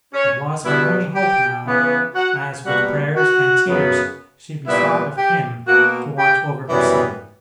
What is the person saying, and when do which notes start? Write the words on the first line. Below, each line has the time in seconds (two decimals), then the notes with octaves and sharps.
It was her only hope now, as with prayers and tears she besought of Him to watch over her son.
0.14 C#4 C#5
0.64 B2 G3 B3 E4 E5
1.15 G4 G5
1.65 C#3 E3 B3
2.15 F#4 F#5
2.66 B2 G3 A#3 F#4 F#5
3.17 F#4 F#5
3.67 F#2 C#3 F#3 B3
4.67 A#2 G3 B3 E4 E5
5.18 G4 G5
5.68 B2 A#3 F#4 F#5
6.18 G4 G5
6.69 F#2 E3 G3 B3